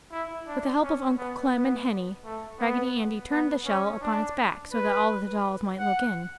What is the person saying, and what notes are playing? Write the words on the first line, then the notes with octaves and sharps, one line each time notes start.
With the help of Uncle Clem and Henny, Raggedy Andy turned the shell upon its back, so that all the dolls might look in.
E4
D4
C#4
B3
B3
A3
B3
B3
C#4
D4
B4
F#5